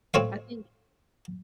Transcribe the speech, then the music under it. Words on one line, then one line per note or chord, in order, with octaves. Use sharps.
I think
A2 C4 C#5 F5